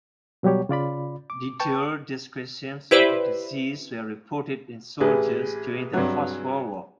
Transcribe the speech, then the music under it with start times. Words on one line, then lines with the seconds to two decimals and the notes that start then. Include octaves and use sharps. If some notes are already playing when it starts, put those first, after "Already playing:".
Detailed descriptions of the disease were reported in soldiers during the First World War.
0.43 B2 F#3 G3 G4 C#5
0.69 C#3 F4 D5 B5
1.30 D6
1.60 B4 G5 A5 C#6
2.91 E4 G4 B4 C5 D5 E5
5.00 A1 G4 G#4 B4
5.94 G2 C3 F#3